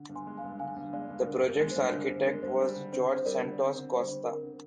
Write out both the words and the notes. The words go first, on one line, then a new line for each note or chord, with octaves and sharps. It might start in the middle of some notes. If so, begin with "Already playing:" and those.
The project’s architect was Jorge Santos Costa.
Already playing: D3
G2
G#5 C6
G#3
F5 G#5
G2
D3 F5 G#5
G2
G#3 D5 F5
G2
D3 A#4
G2
A#4
G#3
C5
G2
D3 A#4 D5
G2 C5
G#3 A#4
G2 C5
G3 C5
D3
C4 C5
D3
C5
G3 A#4 D5
D3
C4
D3
G3 C5
D3
C4 A#4
D3